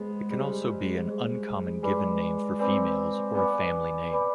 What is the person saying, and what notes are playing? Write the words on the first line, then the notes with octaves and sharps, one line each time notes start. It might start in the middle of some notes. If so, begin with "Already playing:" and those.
It can also be an uncommon given name for females or a family name.
Already playing: G#3 B3 G#4 C5 D#5
G3 G#4 C5 D#5
G#3
G3
G#4 C5 D#5
G#3 B4 D5 G#5 B5 D6
C4 B4 D5 G#5 B5 D6
B3 B4 D5 G#5 B5 D6
B4 D5 G#5 B5 D6